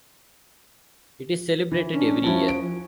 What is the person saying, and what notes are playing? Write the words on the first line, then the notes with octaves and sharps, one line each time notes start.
It is celebrated every year.
E3
C#4 D4
F3 E4 F#4 A5
D7